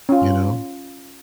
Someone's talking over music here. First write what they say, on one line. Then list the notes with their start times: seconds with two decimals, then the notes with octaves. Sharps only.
You know?
0.09 C#4 F4